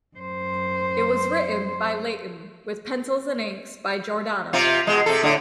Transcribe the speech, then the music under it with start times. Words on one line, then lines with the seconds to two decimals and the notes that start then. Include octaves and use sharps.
It was written by Layton with pencils and inks by Giordano.
0.16 F#2 C5
4.53 C3 F4
4.87 B2 G#3
5.06 C3 A4
5.23 A2 D3